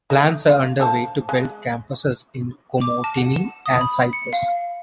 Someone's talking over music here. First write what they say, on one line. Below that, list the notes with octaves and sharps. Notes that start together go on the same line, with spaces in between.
Plans are under way to build campuses in Komotini and in Cyprus.
A3 D#4
F4
F3 C5 A5
G#3
D6
A5
F#5
E7
D#6
B5
C#7
F5